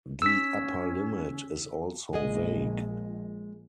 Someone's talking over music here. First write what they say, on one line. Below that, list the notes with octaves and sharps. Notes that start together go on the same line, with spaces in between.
The upper limit is also vague.
C#4 E6 B6
A#1 G#3 G#4 D#5